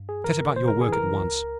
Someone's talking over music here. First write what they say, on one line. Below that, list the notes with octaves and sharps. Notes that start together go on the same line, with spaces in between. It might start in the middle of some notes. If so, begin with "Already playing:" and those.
'Set about your work at once.
Already playing: G2
G#4
E3 A#4
C#3 C5
A#4
G#4
E3 A#4
C#2